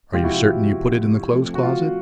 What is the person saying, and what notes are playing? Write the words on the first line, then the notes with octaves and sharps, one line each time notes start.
"Are you certain you put it in the clothes closet?"
C3 F3 G#3 F4 G4
E4 F#4
F4
F3 A3 C4
F#4
F4